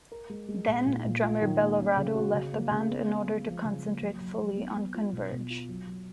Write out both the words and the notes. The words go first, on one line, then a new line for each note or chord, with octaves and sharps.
Then drummer Bellorado left the band in order to concentrate fully on Converge.
A#4
G#3
G#3
A#2
A#2
A#2
F4
D#3
A#3
C#4
C#3
F#4
C#3
A#3
C#3
B3
B3
G#3
F3
C#3
A#3
F#3
F#3
F#3
B3
B3
F4
B2
B2
F4
F#3
F#3